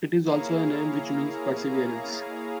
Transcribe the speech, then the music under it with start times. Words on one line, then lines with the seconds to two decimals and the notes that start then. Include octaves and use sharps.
It is also a name which means perseverance.
0.25 A#3 E4 G#4 C#5 F5 A#5